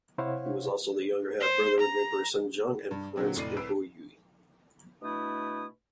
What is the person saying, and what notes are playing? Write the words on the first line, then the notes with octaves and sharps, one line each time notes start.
He was also the younger half-brother of Emperor Sunjong and Prince Imperial Ui.
C3 E4 C5 C#5 F5 F#5
C5
A#5
G2
A#2 D3 F#3 C4
F1 A2 D5 C7 D#7
C2 B4 E6 D7
B2 A3 D4 E4 D#6